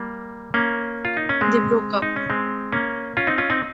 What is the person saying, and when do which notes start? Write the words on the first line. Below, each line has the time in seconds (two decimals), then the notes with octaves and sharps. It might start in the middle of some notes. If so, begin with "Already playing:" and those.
They broke up.
Already playing: G3 A#3
0.54 A#3 C#4
1.05 F4
1.17 D#4
1.29 C#4
1.41 G#3 C4
2.02 D#4
2.16 C#4
2.30 G#3 C4
2.72 A#3 C#4
3.17 C#4 F4
3.27 C4 D#4
3.38 C#4 F4
3.50 C4 D#4